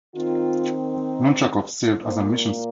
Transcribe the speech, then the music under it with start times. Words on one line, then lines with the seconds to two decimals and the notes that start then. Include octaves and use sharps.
Lonchakov served as a mission specialist.
0.15 D#3 C4 F4
2.03 A#2 A#3 C5